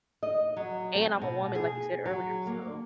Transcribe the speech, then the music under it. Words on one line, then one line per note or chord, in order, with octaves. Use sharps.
And I'm a woman, like you said earlier, so
D#5
F#3
C4
B2
G#4
F#3
A#3